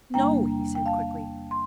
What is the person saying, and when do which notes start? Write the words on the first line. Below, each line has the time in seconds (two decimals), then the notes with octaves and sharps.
"No!" he said, quickly.
0.14 E2 C3 G3 A#3 D4 G5 A#5
0.75 G5
0.86 F5 A5
1.51 C6